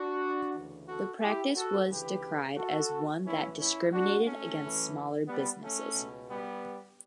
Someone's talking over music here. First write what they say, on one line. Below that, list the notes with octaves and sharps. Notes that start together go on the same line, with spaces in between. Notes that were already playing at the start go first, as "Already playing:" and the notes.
The practice was decried as one that discriminated against smaller businesses.
Already playing: D4 F#4
D2 C#3 E3
F#4 A4
E4 G4
F#4 A4
D2 C#3 E3 G4 B4
F#4 A4
A1 A2 E3 C#4 E4
C#4 E4
D4 F#4
A3 C#4
F#2 E3
G3 B3
A3 C#4
C#2 B2
G3 B3